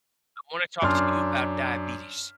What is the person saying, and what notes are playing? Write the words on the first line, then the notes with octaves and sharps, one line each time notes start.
"I wanna talk to you about diabetes."
F#2 D4 C6 F6